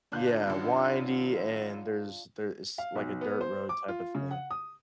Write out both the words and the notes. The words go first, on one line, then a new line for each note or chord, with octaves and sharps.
Yeah, windy, and there's there is like a dirt road type of thing.
G1 D4 F4 F#6 G6
G#1 F#2
F5
B1
B3
C5
D6
F4
C#3
F#5
D#6